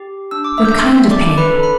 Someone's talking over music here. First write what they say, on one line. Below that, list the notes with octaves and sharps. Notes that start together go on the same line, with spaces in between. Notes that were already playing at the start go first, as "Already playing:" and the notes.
What kind of pain?
Already playing: G4
D4 E6
D6
E5 E6
G6
D4 E5 E6
D4 D5 D6
B4 B5
A4
B5